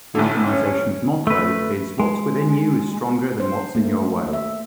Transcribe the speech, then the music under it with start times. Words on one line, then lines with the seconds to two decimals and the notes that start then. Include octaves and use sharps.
The organization's motto is What's Within You Is Stronger Than What's In Your Way!
0.15 A1 D3 A3
0.45 C#4
1.27 A3 B4
2.00 G#3
3.40 C5
3.75 A3 A#3
4.33 E5